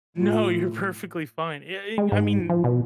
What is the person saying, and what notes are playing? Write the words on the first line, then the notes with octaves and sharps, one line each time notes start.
No, you're perfectly fine. Yea yea i I mean,
A2 F4
G#3
G#2
F3
B2